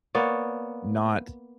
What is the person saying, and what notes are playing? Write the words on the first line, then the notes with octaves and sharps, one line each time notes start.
not v
A#3 B3 C#5 D5